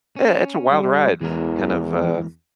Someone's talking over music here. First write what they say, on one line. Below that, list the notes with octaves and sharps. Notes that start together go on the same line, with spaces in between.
eh it's a wild ride kind of, uh,
C#4
G3
E2 E3 G#3 A#4